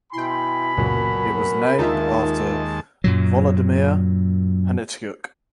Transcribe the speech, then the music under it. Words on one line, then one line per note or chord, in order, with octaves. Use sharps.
It was named after Volodymyr Hnatiuk.
B2 E4 G5 G#5 B5 C6
C#2 F#2 A#2 F#3 A#4
A#4
D#2 G#3 D#4 F4 E5 A5
F#2 A#2 F#3